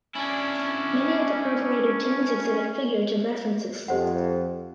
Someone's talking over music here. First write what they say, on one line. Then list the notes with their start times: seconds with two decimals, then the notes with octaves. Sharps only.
Many of the perforated tins exhibit figurative references.
0.15 C#4 D4 E4
3.88 F2 G4 C5 F#5